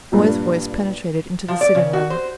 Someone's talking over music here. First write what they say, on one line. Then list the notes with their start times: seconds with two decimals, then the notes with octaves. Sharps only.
A boy's voice penetrated into the sitting-room.
0.12 G2 A#2 G3
1.48 F3
1.61 D5
1.75 C#3
1.93 F#4
2.10 C5